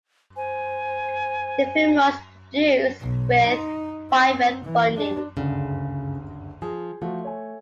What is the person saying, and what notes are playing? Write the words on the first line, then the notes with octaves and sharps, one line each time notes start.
The film was produced with private funding.
C5 G#5
B1
D#4
C4
E3
D4
F#1 D2 G2 C#3
F3 G#4
F3 A3 F#4
C#5 G#5